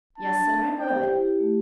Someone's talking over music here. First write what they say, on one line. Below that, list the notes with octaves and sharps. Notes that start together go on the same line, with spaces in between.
"Yes!" said I. "What of it?"
D4 A5
D4
D4
D5
C5 G5
G4
E4
G4
A3